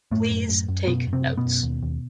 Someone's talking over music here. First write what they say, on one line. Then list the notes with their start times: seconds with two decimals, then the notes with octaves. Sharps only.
Please take notes.
0.11 F#2 A2 A3
0.30 F#2
0.49 F#2
0.68 F#2
0.87 F#2 B2 B3
1.07 F#2
1.13 C3 C4
1.26 F#2
1.38 B2 B3
1.45 F#2
1.63 D#2
1.83 D#2